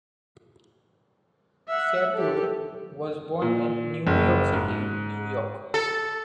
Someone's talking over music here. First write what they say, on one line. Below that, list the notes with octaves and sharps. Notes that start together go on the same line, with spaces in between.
Sabur was born in New York City, New York.
E5 F#5
G4 A4
A#2
F#1
G#2
A4